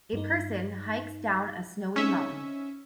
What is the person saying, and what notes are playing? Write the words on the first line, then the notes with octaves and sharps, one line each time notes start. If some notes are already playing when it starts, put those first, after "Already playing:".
A person hikes down a snowy mountain.
G2 D#4
C4 C#4 D#4 E5